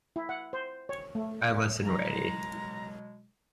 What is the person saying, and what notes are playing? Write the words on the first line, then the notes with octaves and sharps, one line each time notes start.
I wasn't ready.
E4
F#5
C5
C#5
A3
B2 F#3 G#3 A#5